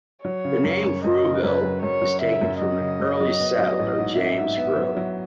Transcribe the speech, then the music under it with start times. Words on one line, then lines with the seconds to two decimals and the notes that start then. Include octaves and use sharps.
The name Frewville is taken from an early settler James Frew.
0.25 F#3 C#5
0.45 C#3
0.64 F#2
0.85 F#2
1.04 F#2 D#5
1.23 C#3
1.43 F#2 B4
1.63 F#3
1.82 F#2 C#5
2.02 F#3
2.22 C#3 E5
2.41 F#2
2.61 F#3 D#5
2.80 C#3
3.00 F#2
3.20 F#3
3.39 B3
3.59 F#3
3.79 A1
3.98 G#2
4.18 F#3 E5
4.38 G#2
4.57 B3
4.77 F#3
4.97 F#3